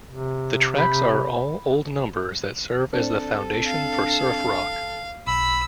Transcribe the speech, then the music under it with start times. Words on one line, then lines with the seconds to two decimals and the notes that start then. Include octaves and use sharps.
The tracks are all old numbers that serve as the foundation for surf rock.
0.10 C3
0.78 B5 G6
2.94 C4 D4 A4
3.65 F5
5.27 B1 B5 E6